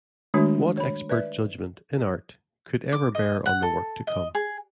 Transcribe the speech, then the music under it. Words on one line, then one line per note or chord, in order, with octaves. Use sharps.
What expert judgment, in art, could ever bear on the work to come?
D#3 G#3 A3 D4 F#4 C#5
C#5 B5
B4 D5 E5
D6
D#5
F#5
A4
D#5
G#4